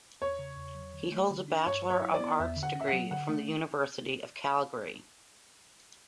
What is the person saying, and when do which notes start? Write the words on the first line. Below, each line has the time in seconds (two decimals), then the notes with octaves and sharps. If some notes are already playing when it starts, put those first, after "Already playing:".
He holds a Bachelor of Arts degree from the University of Calgary.
0.21 E2 C#5
0.39 C#3
0.57 E2
0.75 F#3
0.93 D3
1.12 A3
1.30 D3
1.48 D4
1.66 G2 C#5
1.85 F#3
1.90 C#5
2.02 E4
2.14 D5
2.20 B3
2.39 E2 E5
2.56 D3
2.63 F#5
2.75 C#4
2.81 E5
2.88 F#3 F#5
3.11 D3 F#5
3.29 A3